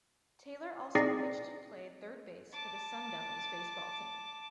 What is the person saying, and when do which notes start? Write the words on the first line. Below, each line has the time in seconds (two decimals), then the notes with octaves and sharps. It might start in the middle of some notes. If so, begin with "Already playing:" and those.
Taylor also pitched and played third base for the Sun Devils baseball team.
0.95 C4 D#4 G#4 D5 A#6 C7
2.53 A5 D6